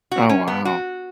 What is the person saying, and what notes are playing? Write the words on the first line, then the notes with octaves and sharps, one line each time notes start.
Oh, wow.
F#4
C#4
B3
F#4